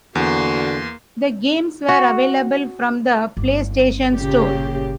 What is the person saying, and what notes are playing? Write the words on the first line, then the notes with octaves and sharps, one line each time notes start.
The games were available from the PlayStation Store.
E2 D3 A#3 F#4 C6
F#4
G1 E4
A#2 C#3 G4